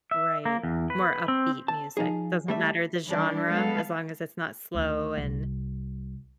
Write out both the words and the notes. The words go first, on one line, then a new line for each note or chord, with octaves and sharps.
Right. More upbeat music, doesn't matter the genre as long as it's not slow and
E5
A#3
E2
B4
C4
A5
F3 D#4 G#4
G3 A3 E5
E3 G3 D4
G#3 B3 A4 B4 F5
D2
C2